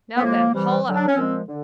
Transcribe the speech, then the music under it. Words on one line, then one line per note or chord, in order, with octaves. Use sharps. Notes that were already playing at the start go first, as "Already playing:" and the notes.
Now, then, haul up.
B3
A2 F3 G#3 A#3
C3 E3 G3
D3 F#3
D4
C#4
A#2 F3 G#3 C4
D3